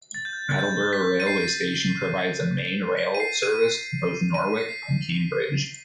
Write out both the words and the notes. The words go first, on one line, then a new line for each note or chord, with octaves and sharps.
Attleborough railway station provides a main line rail service to both Norwich and Cambridge.
A6
G6
A6
G6
B6
D#7
C7
B6
D#7
C7
D#7
D#7
B6
C7